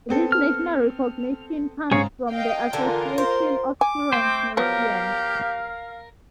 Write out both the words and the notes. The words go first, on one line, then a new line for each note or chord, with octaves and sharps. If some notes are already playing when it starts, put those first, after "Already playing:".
This national recognition comes from the Association of Children's Museums.
B3 C4 A4
F6
G#2 C#3 G#4 C#5 F5
D#5 F5 G5
D3 E3 F4 A4 A#4
C5
G#5 D6
A3 C4 C5 G5
F3 F#3 B3 G4 A#4 F5